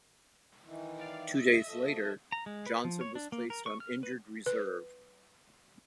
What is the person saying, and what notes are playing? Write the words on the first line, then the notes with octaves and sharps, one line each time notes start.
Two days later, Johnson was placed on injured reserve.
D#3 E3
D5 F5
D#5 E5
F3 A3
A#5
G#3
B4
F3
C#5
D4
A#3
A#4
C#6
F6
B4
B4